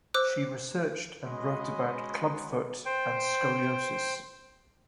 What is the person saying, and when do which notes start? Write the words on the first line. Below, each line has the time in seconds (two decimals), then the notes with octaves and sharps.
She researched and wrote about clubfoot and scoliosis.
0.14 C5 D6 E6 F#6
1.25 G#3 C#4 F#4 D#5 B5 C6
2.86 C5 G5